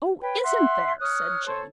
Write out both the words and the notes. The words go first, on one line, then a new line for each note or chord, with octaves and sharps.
'Oh, isn't there!' said Jane.
B4 C#5 G5
E5 F#5 C6
C#5 D#6 F6 F#6
A4 C5 C#5